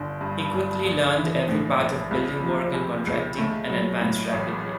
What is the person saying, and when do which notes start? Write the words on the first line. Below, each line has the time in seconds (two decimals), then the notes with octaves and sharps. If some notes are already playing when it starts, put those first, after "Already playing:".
He quickly learned every part of building work and contracting and advanced rapidly.
Already playing: G1 D3
0.21 G2
0.53 G1
0.84 A#1
1.16 E3
1.49 A2
1.80 A#1
2.11 C#2
2.44 F3
2.74 C3
3.07 C#2
3.38 A3
3.69 F#3
4.01 A2
4.33 A1